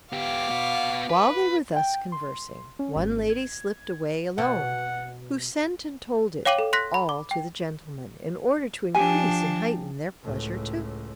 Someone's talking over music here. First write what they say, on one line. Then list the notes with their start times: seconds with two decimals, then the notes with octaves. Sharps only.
While they were thus conversing, one lady slipped away alone, who sent and told it all to the gentlemen, in order to increase and heighten their pleasure too.
0.12 B3 G4 F5 D6
0.50 B3 F#4
1.09 B4
1.76 G5
2.12 C6
2.79 C#4
2.95 G#1
3.30 G#6
4.38 B2 F#5
6.45 C#5 F5 G5 D6 D#7 F#7
6.59 A4
6.73 C6 F#6 A#6 B6
6.94 B5
7.09 D6
7.31 G5
8.95 F3 D4 G4 G#5
10.22 C#2 A2